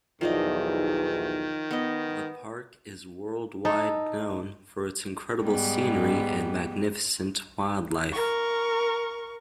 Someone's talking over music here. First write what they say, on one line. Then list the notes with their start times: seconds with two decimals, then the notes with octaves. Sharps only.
The park is worldwide known for its incredible scenery and magnificent wildlife.
0.21 B1 E2 D#3 F3 D5 D#5
1.71 B3 D#5
3.65 D#4 A4
5.43 G#2 G3 B3
8.12 A#4 C#6